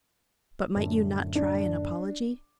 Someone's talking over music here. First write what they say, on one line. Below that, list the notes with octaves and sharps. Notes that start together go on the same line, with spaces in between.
"But might you not try an apology?"
F#2 A2 D3
D4